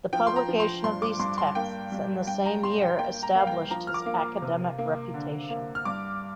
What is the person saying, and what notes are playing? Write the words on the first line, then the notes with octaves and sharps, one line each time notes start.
The publication of these texts in the same year established his academic reputation.
F3 G5
C6
A#5
F3
C6
G2 C6
D6
G2 C6
C6
A#3 G5
G3
G2 G5
A#5
G3 C6
G5
A#3 G5
A#5
A#3 F5
G5
F3 A#5
F6
D6
A#3
C3
A#3
D3
A#3
F6
G2 D6